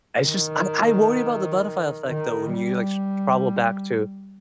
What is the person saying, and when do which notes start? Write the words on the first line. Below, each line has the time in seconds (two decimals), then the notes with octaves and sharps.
I just I I worry about the butterfly effect though when you, like, s travel back to,
0.24 D#3
2.07 D#3
2.52 G3